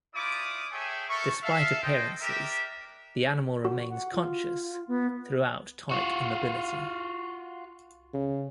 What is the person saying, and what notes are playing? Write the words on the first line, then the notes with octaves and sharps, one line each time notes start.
Despite appearances, the animal remains conscious throughout tonic immobility.
A3 E4 F4 D5 D6 D#6
G#4 A4 C#5 E5 G5 G#5
A4 A#4 E5 C#6
A4 E5 F5
A4 C5 D#5 G5
D4 G4 A#4 E5
F#4
F#5
F4
B3
F4 F#4
C#3